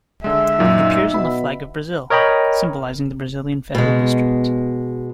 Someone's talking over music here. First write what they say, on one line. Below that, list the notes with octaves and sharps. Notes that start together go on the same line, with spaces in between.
It appears on the flag of Brazil, symbolising the Brazilian Federal District.
D3 G#3 E5
F#2 A#2 F#3 D#4
B2 B5
A#4 C#5 D#5 G5 B5
B2 G#3